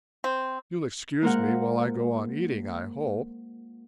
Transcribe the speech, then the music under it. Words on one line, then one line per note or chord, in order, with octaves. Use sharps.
You'll excuse me while I go on eating, I hope.
C4
G#3 A#3 F4 A#4 C5 F#5